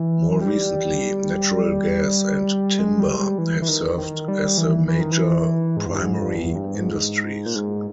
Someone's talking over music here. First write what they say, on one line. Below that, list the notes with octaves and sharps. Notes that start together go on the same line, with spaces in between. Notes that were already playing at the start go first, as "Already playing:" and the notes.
More recently, natural gas and timber have served as the major primary industries.
Already playing: E3
G3
G#3
G3
G3
E3
E3
D#3
D#3
G3
E3
E3
D#3
E3
G#2
E2
G2
G#2
G2
E2
G2
G#2
A#2
G#2